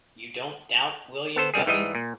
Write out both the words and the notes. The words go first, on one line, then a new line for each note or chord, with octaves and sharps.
You don't doubt William Guppy?
B3 A4 C5
C2 F#2 G3 G#4
G#2 E3 G3 D#5
A#2